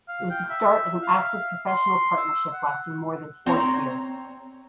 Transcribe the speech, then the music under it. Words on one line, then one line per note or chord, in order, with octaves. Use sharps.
It was the start of an active professional partnership lasting more than forty years.
F5
G5
E5
F5
C6
E6
F#5
C4 C#5 A#5